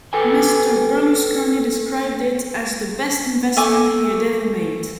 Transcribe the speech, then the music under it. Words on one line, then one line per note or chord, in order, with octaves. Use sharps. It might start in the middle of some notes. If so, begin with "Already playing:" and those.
Mr. Berlusconi described it as the best investment he had ever made.
A4 B4 G5 G#5
A3 G#5 D6